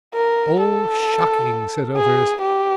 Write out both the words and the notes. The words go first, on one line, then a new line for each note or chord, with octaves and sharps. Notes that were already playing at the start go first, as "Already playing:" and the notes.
"Oh, shocking!" said others.
A#4
A4
G#4
G4